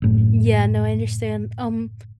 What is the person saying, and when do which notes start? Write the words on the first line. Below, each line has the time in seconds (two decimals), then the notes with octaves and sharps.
Yeah, no, I understand. Um,
0.02 F#1 A2